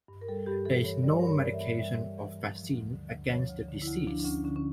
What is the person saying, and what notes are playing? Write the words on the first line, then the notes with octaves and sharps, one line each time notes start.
There is no medication or vaccine against the disease.
G2
A#4
G3 A4
G2 G4
E3 A4
G2 C#5
G3 D5
C#5
A#4
G2 C#5
E3 D5
E5
G2 D5
G3 E5
G2
E3
G2
F3
D2
D3
D2
F3 C#5
D2
D3
E4
D2
F3 D4
D4
D2 C#4
D3 C#4
C#4